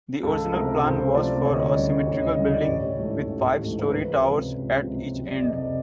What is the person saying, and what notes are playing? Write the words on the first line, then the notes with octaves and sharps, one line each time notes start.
The original plan was for a symmetrical building, with five-storey towers at each end.
C#2 A4
C3 F3 A3 A#4
C#2 C5
C3 F3 A3 D5
D2 C#5
D#5
D5
C#3 E3 G3 D#5
C#5
D2
D#5
C#3 E3 G3 D#5
D5
A1 C#5
G#2 E3 A3
A1
G#2 E3 A3
A#4
C#2 B4
C3 F3 G#3
C#2
C3 F3 G#3
F#1
D5
F2 C3 D#5
D5